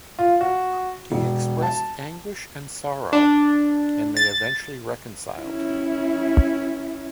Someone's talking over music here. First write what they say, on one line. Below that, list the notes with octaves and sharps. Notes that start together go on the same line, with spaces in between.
He expressed anguish and sorrow, and they eventually reconciled.
F4
F#4
E1
A5
D4
A6
C#4 E4